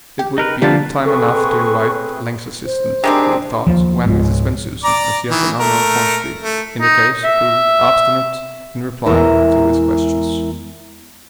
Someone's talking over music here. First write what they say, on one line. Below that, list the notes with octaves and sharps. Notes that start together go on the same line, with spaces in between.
It would be time enough to invite Link's assistance, he thought, when Mrs. Bensusan--as yet an unknown quantity in the case--proved obstinate in replying to his questions.
G4
D#4 A#4 B4
D3 F3 G3 A#3 G4 B4 A5
C4 G#4 A4 B4 C#6
C5
D#3 G3 C4 D4 G4 G#4
D#2 F3
C#2 G#2 G#3 F4
D5 A#5 D6
D#3 E3
A3 A#4
A3
D#4
E5
E2 E3 G#3 A#4 E5 A#5